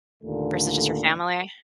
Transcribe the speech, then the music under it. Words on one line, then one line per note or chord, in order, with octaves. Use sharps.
versus just your family?
D#2 A#2 D3 A3